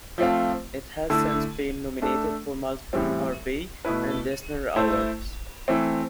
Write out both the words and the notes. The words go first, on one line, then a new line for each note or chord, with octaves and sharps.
It has since been nominated for multiple Harvey and Eisner Awards.
F3 A3 C4 F4
D3 A3 E4 A4
A3 D4 A4
A2 E3 G3 C4
B2 A3 E4 B4
A3 E4 A4 C5
E3 A3 C4